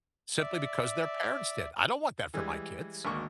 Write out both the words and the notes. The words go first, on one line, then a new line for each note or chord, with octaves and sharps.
simply because their parents did? I don't want that for my kids.
D5 E5
E3 G3 G#3
G#1 D2 A#3 C#6 D6